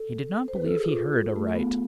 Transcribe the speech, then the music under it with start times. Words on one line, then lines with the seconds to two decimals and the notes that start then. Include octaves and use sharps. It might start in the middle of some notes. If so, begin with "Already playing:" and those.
He did not believe he heard aright.
Already playing: A4
0.48 C5
0.56 B4
0.66 A4
0.75 G#4
0.85 F4
1.36 A3
1.55 B3